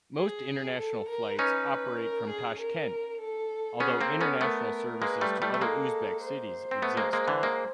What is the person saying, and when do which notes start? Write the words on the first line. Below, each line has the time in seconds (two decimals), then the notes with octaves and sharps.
Most international flights operate from Tashkent, although international services to other Uzbek cities exist.
0.18 G#4
0.78 A4
1.08 A#4
1.38 C#4 D#4 B4
1.99 A#4
2.30 G#4
2.60 A#4
3.20 A4
3.80 B3 C#4 G#4
4.01 A#3 C4
4.11 A4
4.21 B3 C#4
4.41 A3 B3 A#4
5.02 G#3 A#3 B4
5.21 G3 A3
5.42 G3 A3
5.54 A3
5.61 G#3 A#3 A4
6.22 C5
6.71 C4
6.82 A3 B3
6.97 G#3 A#3
7.13 G#3 A#3
7.27 D3 E3
7.43 G#3 A#3